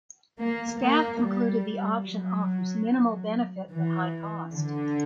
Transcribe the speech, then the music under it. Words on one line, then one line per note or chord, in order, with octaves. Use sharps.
Staff concluded the option offers minimal benefit but high cost.
A#3
A#3
G3
F#3
E3
D3